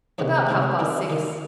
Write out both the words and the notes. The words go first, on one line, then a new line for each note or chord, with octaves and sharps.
"About half-past six."
F2 C3 D#3 G#3 C#4
C3 F3 C4
D#3 G3 C4
D#3 A#3 D#4